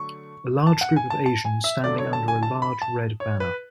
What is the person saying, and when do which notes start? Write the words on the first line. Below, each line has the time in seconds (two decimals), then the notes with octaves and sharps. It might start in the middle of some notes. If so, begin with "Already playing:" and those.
A large group of Asians standing under a large red banner.
Already playing: D3 F#3 A3 C#6
0.67 A5
0.81 F#5
0.96 G#5
1.10 A5
1.26 A5
1.45 G#5
1.64 E5
1.84 D3 F#3 A3 D5
1.99 C#5
2.13 A5
2.28 G#5
2.43 A5
2.62 B5
2.82 A5
3.20 C#5
3.40 B4